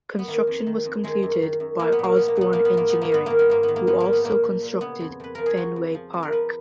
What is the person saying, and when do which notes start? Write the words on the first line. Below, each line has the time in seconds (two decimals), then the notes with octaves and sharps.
Construction was completed by Osborn Engineering, who also constructed Fenway Park.
0.19 B3
0.28 D#3 A#3
0.47 F2
0.67 D#3
0.85 F2
1.04 D#3 G#3
1.23 F#2
1.42 D#3
1.60 F#2
1.79 F3 A#3
1.92 B3
1.99 A#2 A#3
2.16 F3 B3
2.28 A#3
2.36 A#2 B3
2.53 F3 A#3
2.65 B3
2.74 G#2 A#3
2.90 F3 B3
3.01 A#3
3.12 G#2 B3
3.26 D#3 A#3
3.39 B3
3.50 G#2 A#3
3.63 B3
3.68 D#3
3.76 A#3
3.87 G#2 B3
4.00 A#3
4.06 F3
4.13 B3
4.24 A#2 A#3
4.43 F3
4.63 A#2
4.81 C#3 B3
5.00 F2
5.20 F2 B4
5.35 F3 A#4
5.46 G#4
5.57 F3 F#4
5.76 F2
5.95 F3
6.13 F2
6.23 A#4
6.32 F3 B4